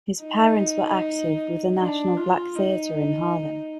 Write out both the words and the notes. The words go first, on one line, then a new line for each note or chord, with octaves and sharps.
His parents were active with the National Black Theater in Harlem.
D#4
D4
F4
D#4